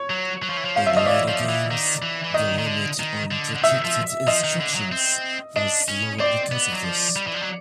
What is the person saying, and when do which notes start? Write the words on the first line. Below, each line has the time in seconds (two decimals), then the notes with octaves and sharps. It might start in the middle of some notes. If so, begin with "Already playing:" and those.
In later games the limit on protected instructions was lowered because of this.
Already playing: C#5
0.10 F#3
0.42 F#3
0.49 F3
0.57 E3
0.65 F3
0.76 F5
0.86 E5
0.97 F3 D#5
1.06 E3 D5
1.28 F3
1.49 E3
1.71 D#3
2.02 E3
2.24 E3
2.34 D#3 D#5
2.58 D#3
2.66 D3
2.99 D#3
3.31 D3
3.55 D3
3.63 D#3 E5
3.84 F3
4.27 F3 D#5
4.44 D#3
4.60 D3
4.76 F#3
4.92 C4
5.56 D4 D#5
5.88 C#4
6.20 C4 D5
6.52 B3
6.72 F#3
6.84 F3
7.16 G3
7.27 E3
7.34 F3
7.42 F#3